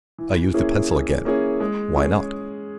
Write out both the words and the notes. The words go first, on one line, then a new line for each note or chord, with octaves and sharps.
I used the pencil again: "Why not?"
E3
A#3 C#4 E4 G#4
E3
A#3 C#4 E4 G#4
G#3
C#4 G#4